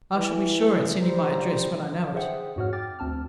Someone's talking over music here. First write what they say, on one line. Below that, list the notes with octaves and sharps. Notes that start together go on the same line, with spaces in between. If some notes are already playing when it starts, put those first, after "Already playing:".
I shall be sure and send you my address when I know it.'
E3
G3 C5 A#5
G#4 B4 C5 E5 F#5 G5
F2 G#2 F#4 C#5 F#5 F6
G5 D6 F6 A6
D2 C4 A5 F6